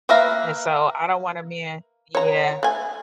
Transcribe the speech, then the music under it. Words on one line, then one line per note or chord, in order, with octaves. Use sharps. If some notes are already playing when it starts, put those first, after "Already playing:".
and so, I don't wanna man yeah,
A#3 B4 E5 F5 A#5
C#5 A#5
A3 G#5